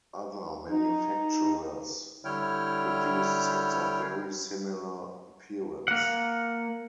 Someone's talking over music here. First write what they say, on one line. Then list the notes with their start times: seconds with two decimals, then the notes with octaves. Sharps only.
Other manufacturers produced sets of very similar appearance.
0.70 D#4
2.25 D3 G3 E4 C#5 G5 F6
5.88 A#3 F#5